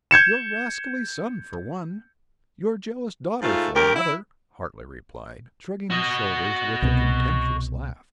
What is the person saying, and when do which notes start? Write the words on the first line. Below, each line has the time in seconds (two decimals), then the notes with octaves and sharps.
"Your rascally son, for one--your jealous daughter, for another," Hartly replied, shrugging his shoulders with a contemptuous laugh.
0.11 G6 G#6 C#7 E7
3.42 G#2 A3 F4
3.74 D2 G4 A#4
3.96 E4
5.91 F#4 D#5
6.82 C2 B2